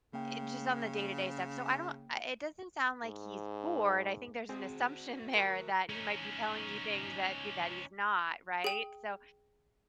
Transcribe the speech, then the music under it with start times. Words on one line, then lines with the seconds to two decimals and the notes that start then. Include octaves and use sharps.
it just on the day-to-day stuff. So I don't I It doesn't sound like he's bored, I think there's an assumption there that he might be telling you things that do that he's not, right? So
0.13 C#3 A#3 G5
3.04 G#2
4.49 C4 F#4 G#4 C5
5.33 A#4 E5 F#5 C#6
5.90 C#4 D#4
8.64 G#4 G5